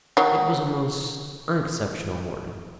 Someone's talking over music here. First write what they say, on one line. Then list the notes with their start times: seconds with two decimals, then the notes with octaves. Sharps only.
It was a most unexceptional morning.
0.17 D#3 F#3